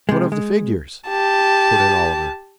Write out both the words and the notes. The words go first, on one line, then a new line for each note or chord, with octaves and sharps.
"What of the figures?" put in Oliver.
C3 G#3
G#3
G4 A5